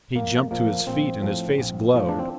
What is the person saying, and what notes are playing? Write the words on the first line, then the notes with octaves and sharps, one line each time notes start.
He jumped to his feet, and his face glowed.
A#1 A#3
A#2 F3 A#3
A#1 C4
A2 F3
A#1
A2 F3
D4
C4